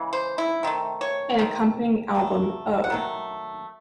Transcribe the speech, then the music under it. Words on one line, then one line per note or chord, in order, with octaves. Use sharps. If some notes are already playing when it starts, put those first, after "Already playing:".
An accompanying album, Oh!
Already playing: C#3 E3 G#3
C5
E4
C3 D#3 A3
C#5
C3 D#3
D#3 F#3 A3
F#5
D#3 F#3 A3